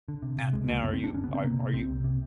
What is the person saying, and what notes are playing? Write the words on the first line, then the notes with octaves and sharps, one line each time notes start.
No now are you are are you
D3
C3
C3
C#2 G#3
C#2 A#3
F#2 B3
C4
G1
D4
G1 C#4
B3
C#3
C4
C3 A#3
C3
C2 C4
C2
C3